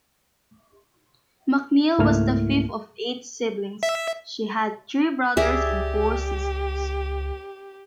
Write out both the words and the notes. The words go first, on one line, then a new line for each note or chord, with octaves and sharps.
MacNeil was the fifth of eight siblings; she had three brothers and four sisters.
C#2 G#2 A3 A#3 E4 F6
E5
C#2 G4 G#4 D5 E5